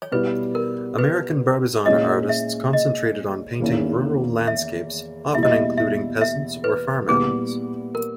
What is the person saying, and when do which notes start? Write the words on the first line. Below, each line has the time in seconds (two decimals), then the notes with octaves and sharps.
American Barbizon artists concentrated on painting rural landscapes often including peasants or farm animals.
0.02 C#5
0.12 B2 G3 B3 E4 B4
0.55 A#4
0.98 B4
1.86 A#2 G#3 C#4 E4 D#5
2.29 E5
2.73 D#5
3.60 E2 D#3 A#3 C#4 E4
4.47 E5
5.34 E2 B2 G3 A#3 E4 E5
5.43 D#5
5.51 E5
5.77 E5
6.21 E5
6.64 B4
7.08 A#2 G3 B3 E4 G#4
7.95 A#4